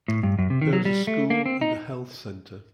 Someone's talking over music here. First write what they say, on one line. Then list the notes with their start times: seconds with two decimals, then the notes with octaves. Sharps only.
There is a school and a health centre.
0.08 A2
0.23 G2
0.39 F#2
0.50 C3
0.61 D#3
0.73 F#3
0.85 G3
1.07 A3
1.30 A#3
1.46 C4
1.61 D#4